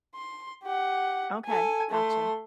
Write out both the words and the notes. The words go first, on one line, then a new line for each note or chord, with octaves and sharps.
Okay, gotcha.
C6
G4 F#5
A4 G#5
A3 C6